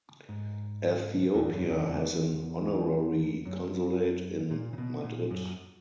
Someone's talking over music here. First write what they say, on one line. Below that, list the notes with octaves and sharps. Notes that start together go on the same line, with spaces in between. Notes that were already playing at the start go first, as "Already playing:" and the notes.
Ethiopia has an honorary consulate in Madrid.
G#2
E2
F#2
E2
E2
F#2
A#2
C#3
B2
A#2
F#2